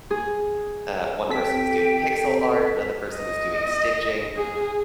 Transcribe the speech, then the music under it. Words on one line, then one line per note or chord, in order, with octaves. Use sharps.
Uh, one person was doing pixel art, another person was doing stitching
G#4
C4 G4 A4 G5 B6
D#5
G#4